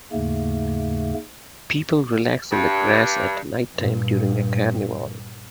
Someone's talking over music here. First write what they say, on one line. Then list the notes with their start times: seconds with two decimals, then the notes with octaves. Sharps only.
People relax in the grass at nighttime during a carnival.
0.12 D#2 G#2 C#3 A3 A#3
2.52 G2
3.75 G2 A#2